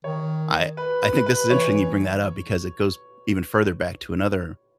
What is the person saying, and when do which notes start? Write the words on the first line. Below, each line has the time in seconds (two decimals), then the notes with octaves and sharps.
I I think this is interesting you bring that up, because it goes even further back to another
0.04 D#3 C#5
0.77 B4
1.02 B4
1.26 B4
1.50 E3 C#5